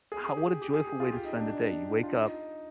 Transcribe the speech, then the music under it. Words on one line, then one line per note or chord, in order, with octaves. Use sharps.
how what a joyful way to spend the day. You wake up,
G#4
G4
G4
G#4
G4
F4
G4
D#4
D4
D4
F4
D#4